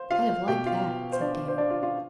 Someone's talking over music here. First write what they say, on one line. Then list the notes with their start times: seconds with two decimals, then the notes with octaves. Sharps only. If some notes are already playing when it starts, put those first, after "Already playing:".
'I'd have liked that!' said Dan.
Already playing: C5 F5
0.11 F4 F5
0.48 B2 G4 G5
0.66 F4 F5
1.12 C5
1.21 D4 D5
1.48 C5
1.58 D4 D5
1.70 F4 F5
1.83 F4 F5